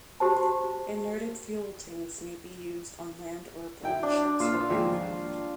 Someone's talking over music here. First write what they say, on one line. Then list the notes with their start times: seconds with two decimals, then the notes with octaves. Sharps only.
"Inerted" fuel tanks may be used on land, or aboard ships or aircraft.
0.20 F#4 G4 C5 A5
3.82 F#3 E4 G5
4.03 D4
4.40 A#2 F4 F5 E6
4.70 D#2 F3 G#3